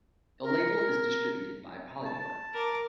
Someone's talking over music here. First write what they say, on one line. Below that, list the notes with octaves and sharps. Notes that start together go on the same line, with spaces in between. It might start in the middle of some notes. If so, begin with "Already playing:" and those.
The label is distributed by Polydor.
A#4
A5
A#4 D6